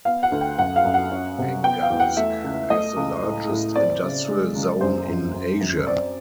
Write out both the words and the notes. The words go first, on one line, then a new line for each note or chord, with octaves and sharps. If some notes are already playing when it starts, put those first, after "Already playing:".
Angarsk has the largest industrial zone in Asia.
B3 F5
F#5
D2
G5
F#2 F#5
F5
F#2
F#5
C#4
C3
B3 G5
F5
E2
F#5
A3 E5
C#2
A3 D#5
C#2
A2
A2
C4 D5
C#3
G#3
C#2
F#2 C5
F#2
F#2
F#2
C4 D5